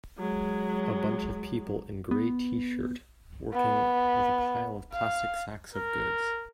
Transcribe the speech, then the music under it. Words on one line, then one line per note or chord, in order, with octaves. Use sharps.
A bunch of people in gray tshirt working with a pile of plastic sacks of goods.
F#3 G#3
B3
B3
F5
A#4